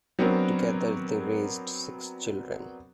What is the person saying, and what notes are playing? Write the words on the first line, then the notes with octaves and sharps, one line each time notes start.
Together they raised six children.
F#3 B3 C4 D4 A#4 C#5